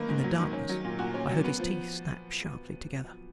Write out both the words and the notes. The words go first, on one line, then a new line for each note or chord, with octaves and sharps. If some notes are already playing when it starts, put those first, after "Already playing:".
In the darkness I heard his teeth snap sharply together.
Already playing: D#3 F#3 A#3 A#4 B4
G#2
F#3
D#3
C#4
F#3
A#2
A#2 F#4
C#4
F#3
B3
F3